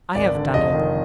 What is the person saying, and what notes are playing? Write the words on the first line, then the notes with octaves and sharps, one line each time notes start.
I have done it!
G#1 D5
D3
F1 D#5
D#3